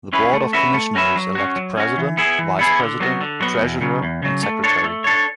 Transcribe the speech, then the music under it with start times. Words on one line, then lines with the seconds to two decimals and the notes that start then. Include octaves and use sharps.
The Board of Commissioners elect a President, Vice President, Treasurer and Secretary.
0.13 C#4 E4 G#4 B4
0.33 A3
0.53 C#4 F#4 B4 E5
0.74 A3
0.95 C#4 F#4 B4 E5
1.16 F#3
1.35 C#4 F#4
1.56 F#3
1.77 C#4 F#4
1.98 E3
2.17 B3 E4 G#4
2.38 E3
2.59 B3 E4 G#4
2.79 D3
3.00 F#3 B3 F#4
3.21 D3
3.40 F#3 B3 F#4
3.61 E2
3.81 C#3 F#3
4.03 E2
4.22 C#3 F#3
4.43 A3
4.64 D4 A4 C#5
4.84 A3
5.04 D4 A4 C#5